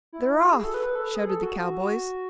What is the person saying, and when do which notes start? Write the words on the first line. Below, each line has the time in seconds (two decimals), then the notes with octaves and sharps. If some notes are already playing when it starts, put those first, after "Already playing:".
"They're off!" shouted the cowboys.
0.13 E4
0.34 E4
0.43 F#4
0.53 G#4
0.64 A4
0.74 B4
0.95 A4
1.15 G#4
1.29 A4
1.43 F#4